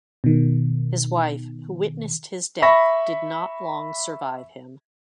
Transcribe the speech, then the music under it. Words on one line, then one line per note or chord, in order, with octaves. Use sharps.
His wife, who witnessed his death, did not long survive him.
B2 D#3
E5 B5 C#6 A#6